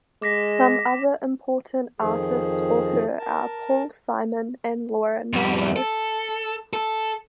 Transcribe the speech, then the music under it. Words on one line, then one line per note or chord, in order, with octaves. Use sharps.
Some other important artists for her are Paul Simon and Laura Nyro.
G#3 D6 A#6 B6
F2 D#3 F3 G#4
A#4 A5
F2 G3
A4
A4